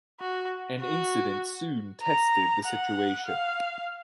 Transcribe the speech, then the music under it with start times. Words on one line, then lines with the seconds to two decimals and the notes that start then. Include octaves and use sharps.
An incident soon tested the situation.
0.20 F#4
0.81 F#4
2.03 A#5
2.65 F#5
3.26 F5